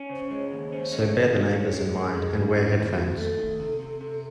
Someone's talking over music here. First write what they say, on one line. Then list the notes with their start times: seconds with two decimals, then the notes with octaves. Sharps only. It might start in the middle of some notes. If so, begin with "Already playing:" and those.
So bear the neighbours in mind and wear headphones.
Already playing: C#4
0.10 C#3 C5
0.31 G#3 C#5
0.51 D#2 C#5
0.72 C#4 C5
0.92 G#3
0.99 C5
1.13 D#2
1.26 F#4
1.34 G#3
1.53 C#4 A4
1.58 G#4
1.74 G#3
1.95 G#3
2.15 G#3
2.36 C#3 F#4
2.46 G#4
2.54 G#3 F#4
2.63 E4
2.77 D#2
2.91 F#4
2.98 D#2
3.18 A3 A4
3.38 D#3
3.60 C3
3.80 C3
4.01 C3